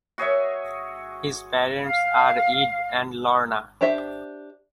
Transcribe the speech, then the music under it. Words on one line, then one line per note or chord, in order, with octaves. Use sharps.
His parents are Ed and Lorna.
F#4 G#4 C#5 E5
F5
D4 G4 C5 E5